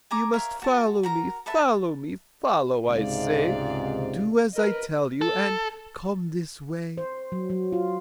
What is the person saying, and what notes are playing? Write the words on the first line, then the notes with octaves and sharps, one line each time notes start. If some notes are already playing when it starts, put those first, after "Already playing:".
"You must follow me, follow me, follow, I say Do as I tell you, and come this way."
G#5 A#5 D6
A#4 C#5 E5 F5
F#4 A5
F#4 A#4 A#5
A4 B4 E5 A5
C#2 G#2 C3 D5 F5
A#4 B4 D#5
A4
C5
F#3
F#3
F4